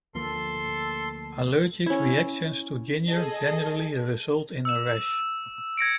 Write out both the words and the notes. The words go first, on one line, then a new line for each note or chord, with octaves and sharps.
Allergic reactions to ginger generally result in a rash.
D2 F3 A#3 A4 C6
C#4 E4
G#4 A4 D#5
E6 E7
G#6 A#6 C#7 D7